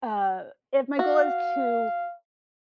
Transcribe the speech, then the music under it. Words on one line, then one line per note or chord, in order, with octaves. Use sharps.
uh, if my goal is to
F#4 F5